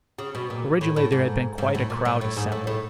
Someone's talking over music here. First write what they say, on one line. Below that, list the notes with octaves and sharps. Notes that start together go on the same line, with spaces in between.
Originally there had been quite a crowd assembled.
C#3
B2
A#2
A2
A2
G#2
G#2
A2
A#2
A2
A2
G#2
A2
A2